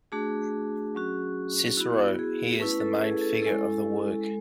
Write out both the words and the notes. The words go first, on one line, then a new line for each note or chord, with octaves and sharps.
Cicero - He is the main figure of the work.
A3 D4 F#4 G#4
F#3 C#4 F#4
B3 E4 F#4
G#4
A3 C#4 E4 B4
A4
G#4
A4
G#3 C#4 E4 A4
G#3